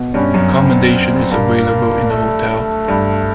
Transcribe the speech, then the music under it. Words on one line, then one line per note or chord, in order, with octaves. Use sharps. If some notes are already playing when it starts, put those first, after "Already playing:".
Accommodation is available in the hotel.
Already playing: B2
G2 C#4
F#2
C4
G2 A#3
A3
A3
G2